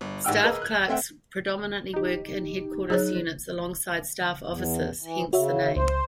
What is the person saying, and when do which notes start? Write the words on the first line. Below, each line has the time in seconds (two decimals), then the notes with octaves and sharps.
Staff clerks predominantly work in headquarters units alongside staff officers, hence the name.
0.01 G1
0.24 A1 G#2 F#5 G5 E6 F6
0.41 G#4 A#4 B4 D#5
0.62 F#6 G#6
0.89 A3 C4 C5 E5 F#5 G5
1.93 D#4 G4
2.90 F#3 D#4 G#4 C#5 F#6
4.47 E2
5.01 E3
5.33 C#3 F#4 C#5 E5
5.76 C#2 C5